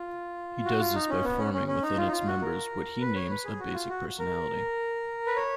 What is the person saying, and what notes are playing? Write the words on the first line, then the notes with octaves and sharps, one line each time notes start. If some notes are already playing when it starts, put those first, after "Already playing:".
He does this by forming within its members what he names a basic personality.
Already playing: F4
F#4
F4
D#4
C#4
B3
C#4
C#4
C#4
D#4
F4
D#4
F4
F#4
A#4
B4
C#5
B4
G#4
F#4
F4
F#4
A#4
B4
C#5